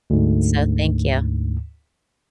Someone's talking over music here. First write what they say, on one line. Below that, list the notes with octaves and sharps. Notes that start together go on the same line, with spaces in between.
so thank you.
D2 G#2